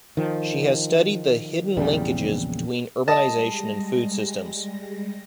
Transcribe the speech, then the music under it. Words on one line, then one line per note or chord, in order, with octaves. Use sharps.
She has studied the "hidden linkages" between urbanisation and food systems.
D#3 F3
A#1 E2 C#3 G3
G3 G#3 D#5 A5 A#6